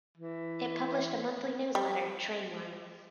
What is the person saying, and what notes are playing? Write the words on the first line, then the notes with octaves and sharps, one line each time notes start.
It published a monthly newsletter, "Trainline".
E3
G3